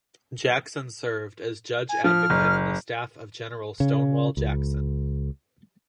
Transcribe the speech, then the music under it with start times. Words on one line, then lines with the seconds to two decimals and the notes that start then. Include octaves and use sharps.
Jackson served as judge advocate on the staff of General Stonewall Jackson.
1.89 G#5
2.04 F3 F6
2.30 F#1
3.80 C#3
4.37 C#2